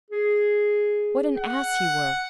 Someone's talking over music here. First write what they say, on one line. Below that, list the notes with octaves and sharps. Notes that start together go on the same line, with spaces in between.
"What an ass you were."
G#4
F#5